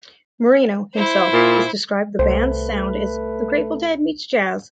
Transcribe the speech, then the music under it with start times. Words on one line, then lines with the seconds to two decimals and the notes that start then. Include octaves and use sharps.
Marino himself has described the band's sound as "The Grateful Dead meets jazz".
0.95 E4 C5
1.33 A#2
2.19 C2 A3 B4 C5